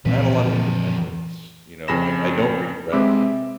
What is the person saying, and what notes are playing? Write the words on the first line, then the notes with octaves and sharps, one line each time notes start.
I had a lot of independence, you know, I I don't regret
F2 A#2 E3 C4 B4
F2 C#3 G#5 B5 A#6 E7
C3 G#3 C4 E5 B5 D6
E5